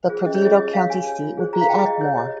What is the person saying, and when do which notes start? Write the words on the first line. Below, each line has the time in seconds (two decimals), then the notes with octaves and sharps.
The Perdido County seat would be Atmore.
0.09 F4 G#4 C5
0.26 C#4 D#5
0.35 C#5
0.41 F4 G#4 C5 D#5
0.57 G4 D#5
0.73 C#5 F5
0.89 G4 G#5
1.05 C#5
1.22 F4
1.37 G#4 C5
1.53 F4 A#5
1.61 F5
1.69 G#4 C5 G5
1.85 G4 D#5
2.01 C5 C#5
2.17 G4 D#5